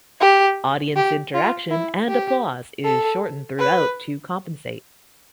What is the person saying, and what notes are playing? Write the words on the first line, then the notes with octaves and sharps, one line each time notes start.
Audience interaction and applause is shortened throughout to compensate.
G4
G4
F4
E4
G4
A4
B4